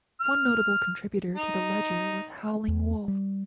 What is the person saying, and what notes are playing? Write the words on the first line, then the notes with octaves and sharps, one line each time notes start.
One notable contributor to the ledger was Howling Wolf.
F6
D#4
E2
G3